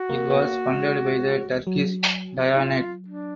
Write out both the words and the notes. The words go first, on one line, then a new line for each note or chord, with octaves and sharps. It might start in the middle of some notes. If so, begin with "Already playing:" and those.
It was funded by the Turkish Diyanet.
Already playing: F#4
A#3
B3
A#3
G#3
F#3
D#4
F4
D4